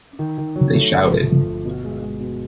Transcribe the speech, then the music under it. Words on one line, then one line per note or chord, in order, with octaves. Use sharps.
They shouted.
D#3
D#3
F#3
A3
G1
F3
F3
G1
B2
G#3
G#3
B2